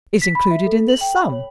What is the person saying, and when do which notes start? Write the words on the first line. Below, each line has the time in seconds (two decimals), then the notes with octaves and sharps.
"Is included in this sum."
0.22 B6
0.35 B5
0.51 E5
0.66 A4
0.88 F#7
1.01 G5
1.15 B5
1.32 C#5